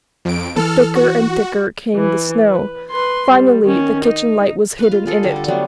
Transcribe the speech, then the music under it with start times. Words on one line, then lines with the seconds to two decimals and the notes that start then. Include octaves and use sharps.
But thicker and thicker came the snow; finally the kitchen light was hidden in it.
0.25 F2 D7
0.56 E3 A4 F6
0.95 F#4
1.95 E3
2.48 B4
2.91 B4 C6
3.30 G3
3.64 D#3 C#4
4.04 D#4
4.79 B4 F5
4.91 F4
5.06 F4 G#4 A4
5.23 D3 G3
5.36 A4
5.48 F#3 G3 A3 B3